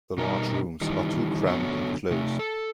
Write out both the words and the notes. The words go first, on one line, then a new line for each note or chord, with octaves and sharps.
The large rooms are too cramped and close.
B2 G3 D#4 A#4
D#3 E3 G3
D3 F#3 A3 B3 C#5
C3 A3
A4